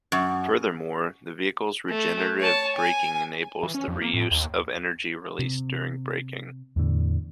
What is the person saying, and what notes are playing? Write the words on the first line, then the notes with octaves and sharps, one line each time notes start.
Furthermore, the vehicle's regenerative braking enables the reuse of energy released during braking.
F#2
A3
C#5 A5
G#5
E3
C#4
F2
A#3
A2
D#2
C3
E2 A2 D3